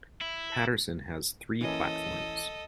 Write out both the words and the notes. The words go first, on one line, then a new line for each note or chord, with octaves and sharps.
Patterson has three platforms.
E4
E3 A#3 C#4 A4 D#5